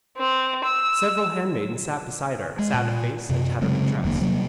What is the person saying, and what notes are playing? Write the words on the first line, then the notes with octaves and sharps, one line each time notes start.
Several handmaids sat beside her, sad of face and tattered of dress.
C4
E6
G#3
A#2
F#2 C3
C#3 F#3 G#3 C4
D1 E2 D3 A#3
C3 F#3 G3 A#3